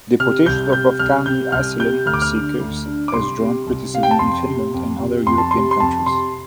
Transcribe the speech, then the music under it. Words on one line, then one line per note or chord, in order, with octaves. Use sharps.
Deportations of Afghani asylum seekers has drawn criticism in Finland and other European countries.
C3 F6
C2 G6
C3 G6
C2 F6
C3 G6
C2 F6
C3 G6
D2 F6
D6
F6
D3
D2
D3
D6
C2 C6
C3
C2
C3 F5
G5
A5
F2 C6
C3
F2
C3
F2 C6
A5
C3 C6
C6
F2 A5
C3 C6